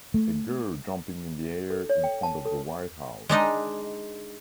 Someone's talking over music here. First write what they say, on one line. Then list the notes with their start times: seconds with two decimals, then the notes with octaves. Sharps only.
A girl jumping in the air in front of the White House.
0.14 A3
1.70 A4
1.89 C#5
2.04 G5
2.23 A5
2.45 A4
3.29 G#3 D4 D#4 D#5